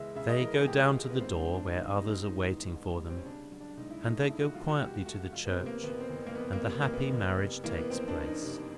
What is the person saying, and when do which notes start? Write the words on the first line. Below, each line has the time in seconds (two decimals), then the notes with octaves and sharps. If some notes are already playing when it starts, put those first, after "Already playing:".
They go down to the door, where others are waiting for them, and they go quietly to the church, and the happy marriage takes place.
Already playing: C#2 C#3 E3 G#3 E5
0.15 C#3 E5
0.29 D#5
0.41 E3 A#4
0.54 G#4
0.67 C#2 G4
0.85 F4
0.93 G#3
1.10 B3
1.19 G#2 C4
1.36 D4
1.45 E3
1.53 D4
1.70 A1 D#4
1.96 G3 D#4
2.22 G#2 D#4
2.48 E3
2.74 A1
3.00 G3
3.10 C4
3.17 C#4
3.25 C#3 D4
3.52 F#3
3.61 D4
3.77 C#2 D#4
3.90 E4
4.03 A3 D#4
4.15 D4
4.29 C#3 E4
4.42 F#4
4.54 F#3 F4
4.68 F#4
4.80 C#2 G4
4.94 F#4
5.06 A3 F#4
5.19 F#4
5.33 F2 F4
5.45 B3
5.49 C4
5.57 C3
5.66 A#3
5.83 F#1 B3
6.00 C4
6.09 F#1
6.26 A#3
6.35 F2 B3
6.53 A#3
6.62 C3
6.69 B3
6.82 F#1 A#3
6.94 B3
7.13 F#1
7.38 C3
7.64 E3 A#3
7.78 B3
7.90 F2 C4
8.08 D4
8.16 F2
8.25 D#4
8.42 C3